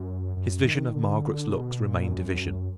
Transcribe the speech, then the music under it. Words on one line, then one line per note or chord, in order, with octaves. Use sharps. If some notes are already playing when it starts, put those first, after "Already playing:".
His vision of Margaret's looks remained a vision.
Already playing: F#2
F#2
D#3
D3
B2
A#2
F#2